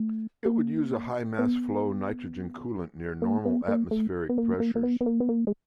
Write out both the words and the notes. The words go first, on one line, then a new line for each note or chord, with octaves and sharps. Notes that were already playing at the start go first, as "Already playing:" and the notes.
It would use a high mass-flow nitrogen coolant near normal atmospheric pressures.
Already playing: A3
A#3
B3
A#3
B3
A#3
A3
B3
A#3
A#3
A#3
B3
B3
A#3
B3
A#3
G#3